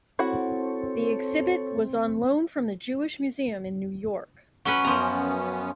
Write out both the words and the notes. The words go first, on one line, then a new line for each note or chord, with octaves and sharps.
The exhibit was on loan from the Jewish Museum in New York.
C4 E4 F#4 A4 C#5 F#5
F#3 C#4 B4
F#2 F3 B3 C#4 A#5